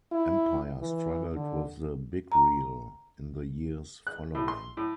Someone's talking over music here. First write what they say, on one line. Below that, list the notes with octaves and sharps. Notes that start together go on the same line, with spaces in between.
Empire struggled with the "Big Reel" in the years following.
E4
E3
D3
A#5
F#6
A2
C6
A2